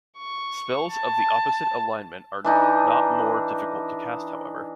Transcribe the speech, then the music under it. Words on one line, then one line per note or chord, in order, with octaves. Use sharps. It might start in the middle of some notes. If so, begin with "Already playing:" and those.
Spells of the opposite alignment are not more difficult to cast however.
C#6
A5
E3 D4 D#4